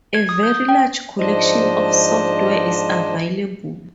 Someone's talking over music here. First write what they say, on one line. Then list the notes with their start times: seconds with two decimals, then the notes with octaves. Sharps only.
A very large collection of software is available.
0.14 G#6
0.29 D#6
0.43 G6
0.69 G5
1.19 G#2 F3 D4 C5 D#5